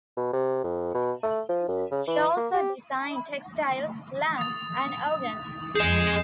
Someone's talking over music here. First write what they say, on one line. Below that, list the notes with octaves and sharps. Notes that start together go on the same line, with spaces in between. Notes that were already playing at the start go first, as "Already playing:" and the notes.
He also designed textiles, lamps and organs.
B2
C3
F2
B2
A3
F3
F#2
C#3
E3
A#3
G4
D#6 A6
F2 G#4 D#5 G6 C7 E7